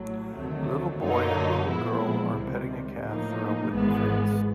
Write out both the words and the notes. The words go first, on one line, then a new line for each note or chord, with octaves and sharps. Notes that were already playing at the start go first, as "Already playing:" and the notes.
A little boy and little girl are petting a calf through a wooden fence.
Already playing: A#1 A2 F#3
D2 C3 D#3 F#3 A3
F#2 D3 F#3 A#3 D#4
A#2 F3 G#3 B3 E4
C#2 C3 D#3 G3
A2 F3 A#3 D#4
G#1 G#2 E3 G#3 B3